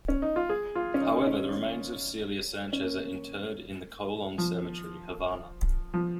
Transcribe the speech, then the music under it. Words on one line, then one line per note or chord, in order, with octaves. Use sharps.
However, the remains of Celia Sanchez are interred in the Colon Cemetery, Havana.
C#4
D#4
F4
G#4
F4
C#4
D#4
C#4
C#4
A#3
F3
F3